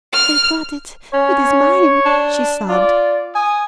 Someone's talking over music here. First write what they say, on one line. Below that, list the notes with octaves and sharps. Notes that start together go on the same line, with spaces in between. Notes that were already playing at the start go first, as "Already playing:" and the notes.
"They brought it; it is mine," she sobbed.
F6
C#4 C#5
D4
F4 D5
G#5 D#6